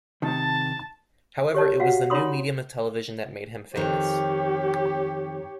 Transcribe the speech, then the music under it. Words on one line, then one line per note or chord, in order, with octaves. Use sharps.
However, it was the new medium of television that made him famous.
C3 D#3 A5
G4 C#5 A5
F#4 F5 F#5
D#4 F4 C#5 B5 C6 D#6
F2 D#3 G4 C#5